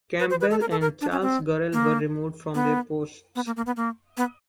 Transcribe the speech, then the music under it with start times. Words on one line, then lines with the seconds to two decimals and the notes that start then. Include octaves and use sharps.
Campbell and Charles Gorrell were removed from their posts.
0.20 B4
0.30 C5
0.41 B4
0.51 A4
0.61 A#4
0.71 A4
0.81 A#4
1.01 D4
1.11 C#4
1.22 C4
1.73 A#3
2.55 B3
3.35 B3
3.46 A#3
3.56 A#3
3.66 B3
3.77 A#3
4.17 B3